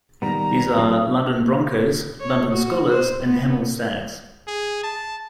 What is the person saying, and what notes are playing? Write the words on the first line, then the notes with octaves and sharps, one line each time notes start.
These are, London Broncos, London Skolars and Hemel Stags.
D#3 G3 B3 A#5
F#3 C4 A4
C#5
F#4
C5
B3
G#4
A5